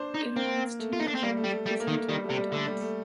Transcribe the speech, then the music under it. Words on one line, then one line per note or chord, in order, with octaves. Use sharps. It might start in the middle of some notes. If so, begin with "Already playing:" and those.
It includes two red geometric designs with white dots.
Already playing: D4 C5
D#4
A#3 C4
A3
F4
D#4
D4
C4
G3 A#3
A3
G3
A3
G3 A3
A#3
D#3
A3
D#3 G3
A3
C3
G3
D3 A3
G3
A3